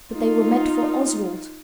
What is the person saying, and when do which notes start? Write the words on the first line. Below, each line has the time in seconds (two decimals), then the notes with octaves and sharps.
But they were meant for Oswald.
0.13 D#4 F4